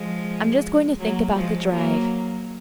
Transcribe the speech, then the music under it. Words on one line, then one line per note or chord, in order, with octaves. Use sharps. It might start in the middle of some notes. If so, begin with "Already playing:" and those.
I'm just going to think about the drive.
Already playing: F3 G#3
F#3 A#3
F3 G#3
F#3 A#3